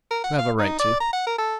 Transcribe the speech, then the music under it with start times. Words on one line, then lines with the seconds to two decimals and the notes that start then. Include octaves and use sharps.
You have a right to.
0.11 A#4
0.24 F#5
0.39 F5
0.59 D#4
0.80 D5
1.00 A#5
1.13 F#5
1.27 A#4
1.38 A4